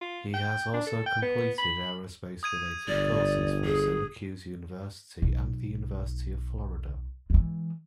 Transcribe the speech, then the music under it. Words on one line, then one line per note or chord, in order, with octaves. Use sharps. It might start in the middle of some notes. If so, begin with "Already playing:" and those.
Has also completed aerospace related courses from Syracuse University and the University of Florida.
F4
G5
D4
A4
G5
B3
B5
D#6 G#6 D#7
G1 D5
G#4
B1
E3 G#3